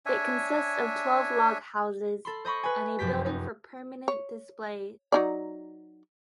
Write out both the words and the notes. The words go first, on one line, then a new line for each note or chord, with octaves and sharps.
It consists of twelve log houses, and a building for permanent displays.
D4 C#5 E5 G#5
A4 B5 C6
C5 D#5 B5 C#6
B4 G#5
F1 F#2 G4 B6
D#4
C#5
F#3 D#4 D5